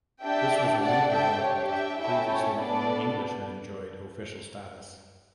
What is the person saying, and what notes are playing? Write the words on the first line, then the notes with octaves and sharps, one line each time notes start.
This was a new development; previously, only English had enjoyed official status.
D4 G4 E5 G5
D4 A4 D5 F#5
E5 G5
D4 G4 C#5
E5 G5
C#4 E4 A4 E5 G5
C#5
B3 D4 A4 B4 D5